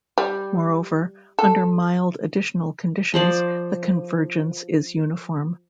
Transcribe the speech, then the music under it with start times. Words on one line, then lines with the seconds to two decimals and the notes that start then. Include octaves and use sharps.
Moreover, under mild additional conditions the convergence is uniform.
0.18 G3
1.39 A4
3.14 F3 C5 D5